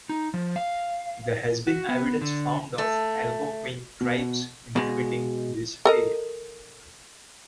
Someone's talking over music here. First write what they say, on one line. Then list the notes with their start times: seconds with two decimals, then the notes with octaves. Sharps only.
There has been evidence found of Algonquin tribes inhabiting this area.
0.09 D#4
0.34 F3
0.56 F5
1.67 F#4
1.89 B3
2.21 D3
2.78 A3
4.01 B2
4.76 B2 G#3
5.85 A4 A#4 D#5